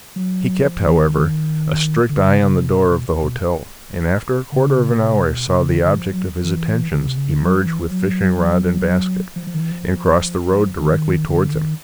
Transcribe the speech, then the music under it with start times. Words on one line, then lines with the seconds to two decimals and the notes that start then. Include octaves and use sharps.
He kept, however, a strict eye on the door of the hotel, and after a quarter of an hour saw the object of his attentions emerge with fishing-rod and basket, and cross the road directly towards him.
0.16 F#3
0.65 F3
0.81 E3
0.96 D#3
2.09 D3
2.25 C#3
2.42 C#3
2.57 C3
2.74 B2
2.90 B2
3.23 B2
4.52 C#3
4.92 B2
5.00 C3
5.24 B2
5.48 C3
5.60 C#3
5.73 D3
5.84 D3
5.97 F3
6.12 F#3
6.44 E3
6.93 D3
7.06 C3
7.17 C#3
7.30 D3
7.42 F#3
7.54 F3
7.65 E3
7.78 F3
7.91 F#3
9.36 F3
9.47 F3
9.54 D#3
9.60 E3
9.71 F3
10.80 D#3
11.28 D3
11.52 D#3